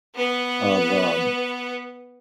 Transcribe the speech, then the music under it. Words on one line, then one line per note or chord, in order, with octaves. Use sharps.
of, um,
B3 B4